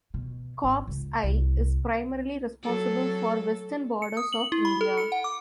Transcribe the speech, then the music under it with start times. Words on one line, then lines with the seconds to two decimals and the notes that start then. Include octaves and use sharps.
Corps I is primarily responsible for western borders of India.
0.14 B2
0.64 G#1
0.87 C#2
1.23 C2
2.63 F#3 A4
4.02 C#7
4.17 D#6
4.33 F#7
4.52 E4
4.65 B5
4.81 A4
4.97 C#7
5.12 F#5
5.24 D6